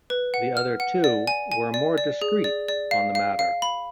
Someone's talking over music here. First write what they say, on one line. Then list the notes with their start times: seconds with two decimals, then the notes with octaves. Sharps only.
The other two were more discreet on the matter.
0.10 B4
0.34 F#5
0.57 F6
0.80 F#5
1.04 D5
1.27 G#5
1.52 G#5
1.74 D5
1.98 D5
2.22 G#4
2.44 D5
2.69 D5
2.91 F5
3.15 F5
3.39 F5
3.62 B5